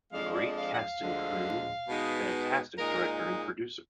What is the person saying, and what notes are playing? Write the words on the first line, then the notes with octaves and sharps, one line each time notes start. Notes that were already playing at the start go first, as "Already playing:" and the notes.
Great cast and crew, fantastic director and producer.
F2 F3 G#3 D4 F5
D5
F5
F#5
F5
D2 D3 F3 G#3 D4
B2 G#3 B3 D#4
A#2 G#3 D#4 A#4